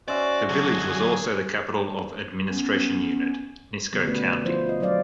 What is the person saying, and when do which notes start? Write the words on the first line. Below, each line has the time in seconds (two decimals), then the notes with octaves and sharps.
The village was also the capital of administration unit, Nisko County.
0.08 C#4 F#4 C5 D5 E5
0.49 D3 F#3 G#4
2.49 B3 C#4
3.92 B2 D3 G3 B3
4.07 A3 B3 C#4 F#4 B4
4.45 F3 E4 F4 C5
4.66 F4 D#5
4.80 F#3 D4 F4 C5 D5 F5